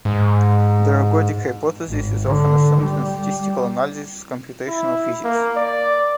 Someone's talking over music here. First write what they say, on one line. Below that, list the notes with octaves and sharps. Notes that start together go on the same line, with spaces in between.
The ergodic hypothesis is often assumed in the statistical analysis of computational physics.
G#2
G#1
D3
G3
E4
A#3
D5